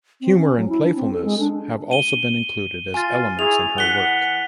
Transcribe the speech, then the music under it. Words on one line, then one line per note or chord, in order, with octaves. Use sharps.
Humor and playfulness have also been included as elements in her work.
C4
C#4
F#3
E4
D4
C4
A4
G#3
D4
D#7 G7
F4 G#5 A6
E4 F#4 G#4 F7
E3 F#5 B6 G7